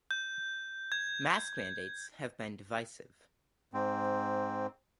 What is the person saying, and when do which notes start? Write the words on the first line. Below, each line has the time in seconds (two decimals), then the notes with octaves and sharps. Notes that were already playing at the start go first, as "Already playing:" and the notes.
Mask mandates have been divisive.
0.11 G6
0.92 G#6
3.73 G#2 C4